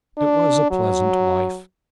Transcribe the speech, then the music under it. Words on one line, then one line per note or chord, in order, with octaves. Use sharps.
It was a pleasant life.
D4
F#3